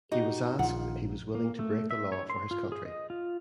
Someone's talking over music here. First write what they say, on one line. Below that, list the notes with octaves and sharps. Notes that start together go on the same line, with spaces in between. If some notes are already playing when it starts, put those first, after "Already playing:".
He was asked if he was willing to break the law for his country.
D#4 F#4 G4 D#5
A#1 D#3 F4 F#5
A#3
A3
E5
C#5
C6
F4
G#4
D#5
F4